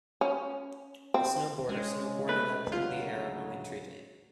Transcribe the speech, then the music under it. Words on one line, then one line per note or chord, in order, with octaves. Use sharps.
A snowboarder snowboarding up in the air on a wintry day.
C#4
C4
G#3 C#4
A3 B4
D2 C#3 F#3 F4